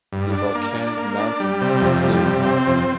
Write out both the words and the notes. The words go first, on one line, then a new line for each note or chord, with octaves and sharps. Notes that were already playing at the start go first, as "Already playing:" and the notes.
The volcanic mountains include Mt.
G2
D4
A#3
D4
A#3
D4
G3
C3
F2
G3
C3
C4
F2